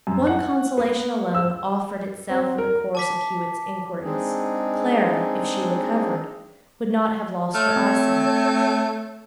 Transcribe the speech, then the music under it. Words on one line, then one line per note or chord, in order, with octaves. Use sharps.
One consolation alone offered itself in the course of Hewett's inquiries; Clara, if she recovered, would not have lost her eyesight.
F#2
F#5
B3
E6
C4
A#4
A5 D6 B6
G#3 C4 D4 D#4 G#4
A3 C#5 F6
C4